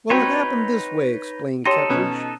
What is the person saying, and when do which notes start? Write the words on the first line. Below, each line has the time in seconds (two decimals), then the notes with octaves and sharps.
"Well, it happened this way," explained Kettridge.
0.10 C4 D#4 F#4 B4 C#5 G5
1.66 D#4 G4 A4 C#5 C6 A#6
1.89 B2 B3 C#4